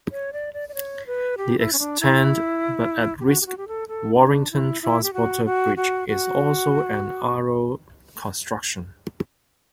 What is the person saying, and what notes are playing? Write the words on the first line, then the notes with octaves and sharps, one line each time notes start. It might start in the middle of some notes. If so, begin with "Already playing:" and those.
The extant but at-risk Warrington Transporter Bridge is also an Arrol construction.
C#5
D5
D5
D5
C#5
B4
G4
E4
C#4
D4
E4
G4
F#4
G4
F#4
G4
A4
A4
E4
D4
E4
E4
G4
F#4
F#4
F#4
F#4